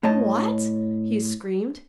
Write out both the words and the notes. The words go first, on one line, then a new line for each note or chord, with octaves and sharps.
"What?" he screamed.
A2 A3 C#5 D#5 A5